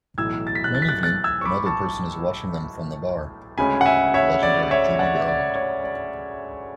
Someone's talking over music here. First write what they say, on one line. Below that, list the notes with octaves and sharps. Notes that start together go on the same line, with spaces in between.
One evening, another person is watching them from the bar: the legendary Judy Garland.
B1 A2 E3 E6 G#6
A6
B6
F#6 A6
A6
B6
F#6 A6
F#6 A6
E6 G#6
C#6
B5 D6
A5 C#6
D2 C#3 G#3 C#4 G#5 B5
F#5
E5 G#5
C#5 E5
D5
D5
C#5 E5
D5 F#5
E5
D5
C#5
D5